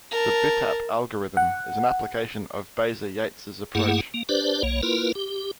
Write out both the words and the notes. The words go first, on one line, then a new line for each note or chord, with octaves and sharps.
The bitap algorithm is an application of Baeza–Yates' approach.
A#4 A5
F#5
G2 A3 A#3 E4 G#4 F#5
A#3
D4 G4 B4 C5 D5
B1 A#3 C#5
A#3 E4 F4 A#4 B4
G4